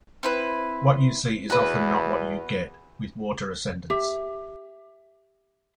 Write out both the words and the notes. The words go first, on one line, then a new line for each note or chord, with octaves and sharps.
What you see is often not what you get with water ascendants.
C4 E4 B4
E2 F#4 B4
G4 E5